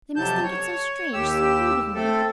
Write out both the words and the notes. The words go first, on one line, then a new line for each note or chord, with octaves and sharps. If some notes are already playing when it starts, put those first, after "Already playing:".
They must think it so strange, so rude of me!
F2 C3 F#3 A5 G6
C#5
D#2 G4 E6
A3 C4 A4